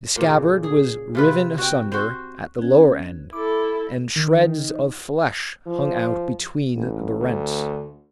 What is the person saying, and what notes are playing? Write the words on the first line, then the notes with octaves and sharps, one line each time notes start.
The scabbard was riven asunder at the lower end, and shreds of flesh hung out between the rents.
A#2 C#3
G#4
C3 F4 B4
F#4 G5
F#4 C5
B3 C#4
E4 A4 D6
D#3
F3
A1
D2